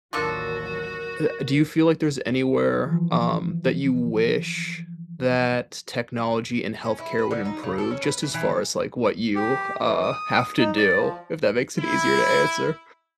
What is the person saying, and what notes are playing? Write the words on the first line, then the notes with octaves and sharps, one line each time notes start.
Uh, do you feel like there's anywhere, um, that you wish that technology and health care would improve just as far as, like, what you, uh, have to do? If that makes it easier to answer.
A1 D#2 F3 F#3 D4 F#4 A4 A#4
E3 F3
C#4
E4
B4
D3
D#4
C#3
A4
C#4
B4
E3
E3
G4
E3
D#6
D#4
D5
F3
E4